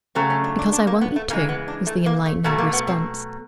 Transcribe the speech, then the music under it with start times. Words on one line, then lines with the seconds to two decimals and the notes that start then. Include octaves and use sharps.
"Because I want you to," was the enlightening response.
0.15 C#3 F#3 A3 C4
0.30 C#4
0.44 D4
0.59 D4
0.73 D4
0.87 A#3
1.01 B3
1.16 A3
1.30 C#3 E3 G#3 A#3
1.49 B3
1.68 D4
1.87 A3
2.06 A#3
2.26 A3
2.44 B2 F#3 A3 A#3
2.58 A#3
2.73 B3
2.87 C4